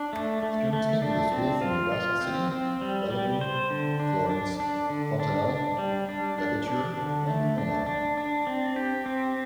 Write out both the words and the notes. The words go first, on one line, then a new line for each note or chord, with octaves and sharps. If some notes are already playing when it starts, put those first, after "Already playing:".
Students came to the school from Nebraska City, Bellevue, Florence, Fontanelle, Decatur and Omaha.
Already playing: D4
A3
A3
A3
D4
C4
F4
F4
C4
C4
G3
G3
C5
D3
D4
D4
D4
D3
D4
D4
G3
D4
D4
D4
D3
A3
D4
D4
D4
C4
G4
C4